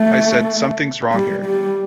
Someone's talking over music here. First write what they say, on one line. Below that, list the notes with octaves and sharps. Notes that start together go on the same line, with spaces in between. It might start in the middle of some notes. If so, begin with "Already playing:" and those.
I said, 'Something's wrong here'.
Already playing: A3
G3
G3